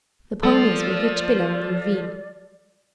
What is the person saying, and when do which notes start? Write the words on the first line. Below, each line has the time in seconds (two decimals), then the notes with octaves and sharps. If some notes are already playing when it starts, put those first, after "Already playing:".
The ponies were hitched below in the ravine.
0.43 F3 G3 A3 B3 A4 D5